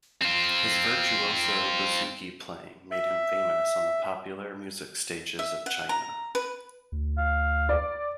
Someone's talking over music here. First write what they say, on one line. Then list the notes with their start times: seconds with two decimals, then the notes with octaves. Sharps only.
His virtuoso bouzouki-playing made him famous on the popular music stages of Chania.
0.22 C4 F4
2.91 E5
5.39 E5
5.66 F#5
5.89 A#5
6.35 B4
6.92 D2
7.17 F5
7.69 D5